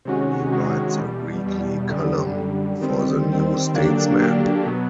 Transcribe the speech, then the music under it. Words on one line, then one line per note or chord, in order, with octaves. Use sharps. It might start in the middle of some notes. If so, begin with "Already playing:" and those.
He writes a weekly column for the "New Statesman".
C3 D#3 G#3 C#4 F#4
C3 D#3 G#3 C#4 F#4
E2 B2 G3
E2 B2 G3
F#2 D3 G3
F#2 D3 G3
D#3 G3 C4
D#3 G3 C4
D3 F#3 A#3 D4 G4
D3 F#3 A#3 D4 G4
B2 F#3 B3